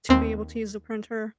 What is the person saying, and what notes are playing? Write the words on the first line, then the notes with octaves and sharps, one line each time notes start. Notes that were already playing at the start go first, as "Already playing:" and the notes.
to be able to use the printer.
D#2 C4